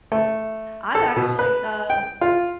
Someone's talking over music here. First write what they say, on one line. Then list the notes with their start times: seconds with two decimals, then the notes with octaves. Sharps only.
I've actually, uh,
0.12 A3
0.95 A4
1.16 B2
1.39 B4
1.90 G5
2.21 F4